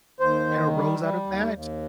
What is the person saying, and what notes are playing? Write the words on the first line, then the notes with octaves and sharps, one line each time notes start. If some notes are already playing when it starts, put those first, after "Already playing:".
kinda rose out of that,
D#2 C5
D#3
G3
G3
D#2
D#2